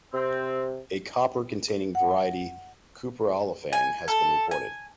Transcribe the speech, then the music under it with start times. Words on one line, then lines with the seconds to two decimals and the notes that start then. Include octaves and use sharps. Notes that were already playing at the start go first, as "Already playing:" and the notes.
A copper containing variety "cupro-allophane" has been reported.
0.14 C3 C4
1.95 F#5
3.73 G#5
4.08 A4
4.51 G#5